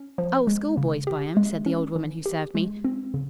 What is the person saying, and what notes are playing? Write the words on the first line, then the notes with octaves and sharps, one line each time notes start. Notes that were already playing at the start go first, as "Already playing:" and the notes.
'Oh, schoolboys buy 'em,' said the old woman who served me.
Already playing: C#4
F3
G#3
C#3
G4
G#3
C#4
E3
G4
G#3
C4
C#3